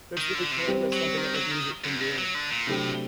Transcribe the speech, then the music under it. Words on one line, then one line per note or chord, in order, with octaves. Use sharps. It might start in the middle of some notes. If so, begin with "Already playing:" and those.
that's really cool, that's something that, like, music can do, you know?
D#3
D3
C3
G3 C4 G4
F#3
D#3
F#3
D#3
F#2
G2
F#3
D3
A#2
A2 C3 F#3 A3 D4 G4